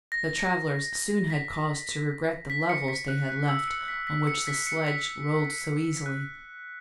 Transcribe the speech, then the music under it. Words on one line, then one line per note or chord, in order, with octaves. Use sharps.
The travellers soon had cause to regret the levels they had left, on which the sledge rolled so easily.
A#6
B6
B6
C#7
B6
F#6
F#6
E6
C#7
B6
B6
C#7
B6
C#7
B6
F#6